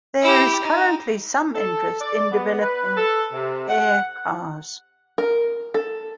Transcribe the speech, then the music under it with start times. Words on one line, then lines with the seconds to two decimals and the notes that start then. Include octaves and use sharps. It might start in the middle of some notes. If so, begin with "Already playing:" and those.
There is currently some interest in developing air cars.
0.22 E4 G4
0.62 D#4
1.55 A4
2.01 D5
2.32 B3
2.61 B4
2.97 A4
3.33 C3
3.69 F#5
5.18 A#4
5.74 A4